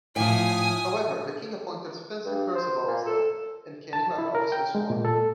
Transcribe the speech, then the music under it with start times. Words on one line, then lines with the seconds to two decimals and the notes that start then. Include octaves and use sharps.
However, the King appointed Spencer Perceval instead, and Canning left office once more.
0.16 A2 F3 G#5 D#6
2.25 G2
2.55 C5
2.87 A#2
3.06 A4
3.93 A5
4.18 E4
4.35 A#4
4.52 G5
4.75 G#3
4.90 A#2
5.05 A4